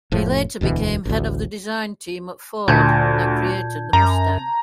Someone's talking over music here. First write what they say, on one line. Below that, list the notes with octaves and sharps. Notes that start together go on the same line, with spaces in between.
He later became head of the design team at Ford that created the Mustang.
F1 A2 F3
E1 D2 B2 E3
A1 D2
D2 A#2 A5 G6 G#6
F#2 A#5